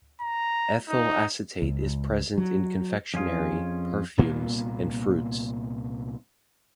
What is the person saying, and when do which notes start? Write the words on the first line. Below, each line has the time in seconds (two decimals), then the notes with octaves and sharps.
Ethyl acetate is present in confectionery, perfumes, and fruits.
0.21 A#5
0.89 D#4
1.62 C#2
2.38 F#3
3.14 F2 C#4 F4 G#4
4.18 C2 A#2 A#3 B3